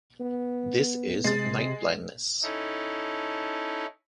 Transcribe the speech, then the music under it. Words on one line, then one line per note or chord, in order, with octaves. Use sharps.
This is night-blindness.
B3
C3 G#3 A6
C#4 D#4 E4 A4